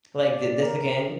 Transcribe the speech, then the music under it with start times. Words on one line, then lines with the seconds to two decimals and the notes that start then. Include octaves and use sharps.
Like, "Thi this again?"
0.20 D5
0.62 A#4